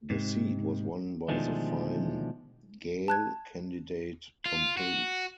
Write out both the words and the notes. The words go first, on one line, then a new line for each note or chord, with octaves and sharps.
The seat was won by the Fine Gael candidate Tom Hayes.
G#2 C3
B2 D3 D#3 F3 G#3 A3
A5 F#6 G#6
F4
F#4